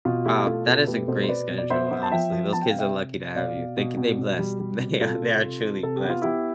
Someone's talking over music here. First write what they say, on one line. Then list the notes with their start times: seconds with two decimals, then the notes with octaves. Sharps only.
Wow, that is a great schedule, honestly, those kids are lucky to have you. They c they blessed. They ar they are truly blessed.
0.05 B2 F4
0.25 A3 E4 G4
0.46 B2 F4 A4
0.67 B2 F4 A4
0.87 A3 G4 B4
1.08 B2 A4 C5
1.24 C5
1.29 B2 B4 D5
1.50 B2
1.58 D5
1.70 B3 C5 E5
1.91 B3
2.03 A5
2.11 F3 E5 G5
2.32 F3
2.53 B3 A5
2.62 G5
2.70 C3 F5
2.78 E5 G5
2.94 C3
3.15 C3
3.36 B2 D5 F5
3.56 B2
3.77 B2
3.97 B2
4.18 B2
4.39 G3
4.60 G3
4.80 B2
5.01 C3 F4 A4
5.21 C3
5.42 C3
5.63 C3
5.83 C3 A4
5.96 G4
6.04 B3
6.10 F4
6.22 B3 E4 G4